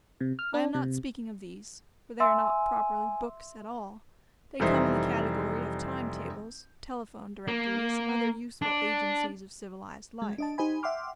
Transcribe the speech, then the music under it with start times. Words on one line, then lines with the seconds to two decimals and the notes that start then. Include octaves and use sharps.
I am not speaking of these, for they are not properly "books" at all; they come in the category of time-tables, telephone directories, and other useful agencies of civilized life.
0.20 C3
0.39 F6
0.54 D4
0.75 C3
2.20 E5 G#5 C6 E6
4.60 F1 E3 G3 D#4 C5 E5
7.48 A#3
8.62 D4
10.22 G#3
10.38 D4 D#5 A5
10.58 D#4 G4 C5 D#5 G#5 B5
10.83 E5 F#5 G5 C6 D6 F6